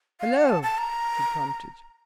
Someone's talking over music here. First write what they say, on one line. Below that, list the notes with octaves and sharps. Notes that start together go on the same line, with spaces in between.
"Hello!" he prompted.
F5
F#5
A5
A5
A#5